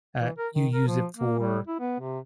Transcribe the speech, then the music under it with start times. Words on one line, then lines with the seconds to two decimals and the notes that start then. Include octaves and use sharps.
uh, you use it for
0.21 E3
0.38 A#4
0.54 D#3
0.73 A#4
0.87 F3
1.17 A#3
1.39 G3
1.67 E4
1.80 B3
2.00 C3